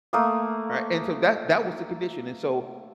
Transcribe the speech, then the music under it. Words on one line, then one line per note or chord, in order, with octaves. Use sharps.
Right? And so that that was the condition. And so
A3 A#3 D#6